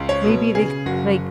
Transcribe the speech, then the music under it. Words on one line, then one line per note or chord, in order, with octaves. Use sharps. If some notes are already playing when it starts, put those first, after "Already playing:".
maybe they c like,
Already playing: C#2
C#5
B2
C#3 G#4
F#1 F#4